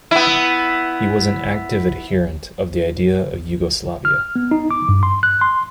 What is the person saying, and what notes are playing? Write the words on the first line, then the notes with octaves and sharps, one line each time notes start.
He was an active adherent of the idea of Yugoslavia.
B3 E4
F6
B3
D#4
D6
G2
C6
F#6
C6